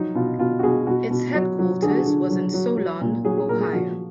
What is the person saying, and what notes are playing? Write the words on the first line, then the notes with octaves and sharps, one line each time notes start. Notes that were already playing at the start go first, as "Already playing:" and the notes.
Its headquarters was in Solon, Ohio.
Already playing: F3 F#3 D#4
B2 F4
B2 F4
F#4
B2 G#4
B2 F#4
B2
F#3
F#3
D3 G#4
F#4
G#4
D3
F#3
F#3
F#3
A#2
F#3 G#4
G#4
A#2 A#4
G#4
F3 F#4